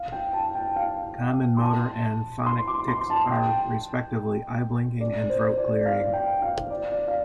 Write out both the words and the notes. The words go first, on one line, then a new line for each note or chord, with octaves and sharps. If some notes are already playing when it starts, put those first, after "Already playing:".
Common motor and phonic tics are, respectively, eye blinking and throat clearing.
Already playing: F5
G5
A5
G5
F5
C6
A5
C6
D6
C6
A5
G5
D5
C5
D5
D5
F5
G5
F5
D5
D5
F5